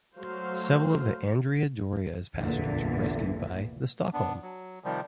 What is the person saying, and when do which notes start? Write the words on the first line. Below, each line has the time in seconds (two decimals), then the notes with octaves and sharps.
Several of the "Andrea Doria"s passengers were rescued by the "Stockholm".
0.16 F#3 A3 C5 F5
2.35 A#1 E2 A#2 D3 E3
4.13 B3 D4
4.42 F#3
4.84 C3 D#3 F3 G3